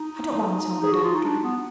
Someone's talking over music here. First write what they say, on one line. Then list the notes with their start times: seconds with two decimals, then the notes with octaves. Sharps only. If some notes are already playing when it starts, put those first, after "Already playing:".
I don't want to tell the Doctor.
Already playing: D#4
0.83 G#4
0.93 F#4
1.04 F4
1.14 D#4
1.25 D4
1.43 B3